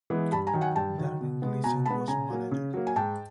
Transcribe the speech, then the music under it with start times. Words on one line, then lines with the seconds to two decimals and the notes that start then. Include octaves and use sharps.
Darren Gleeson was manager.
0.10 E3 G#3 B3
0.32 G2 A5 B5
0.47 G#5 A#5
0.54 D#3 F#3
0.61 F#5 G#5
0.76 G2 G5 A5
0.98 D#3 F#3
1.20 B2
1.42 G#3 B3
1.64 B2 G#5 A#5
1.85 G#3 B3 A5 B5
2.08 C#3 G#5 A#5
2.30 F#3 A#3
2.51 C#3
2.74 F#3 A#3
2.87 G#5
2.96 G#2 G5 A5